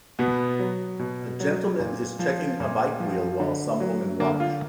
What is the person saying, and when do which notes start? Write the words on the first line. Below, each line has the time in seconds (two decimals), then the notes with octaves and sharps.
A gentleman is checking a bike wheel while some women watch.
0.19 B2 B3
0.59 F#3
0.99 B2
1.40 F#3
1.79 A#2
2.19 F3
2.60 A#2
3.00 F3
3.40 D3
3.80 F#3
4.20 D3 A#3
4.40 F4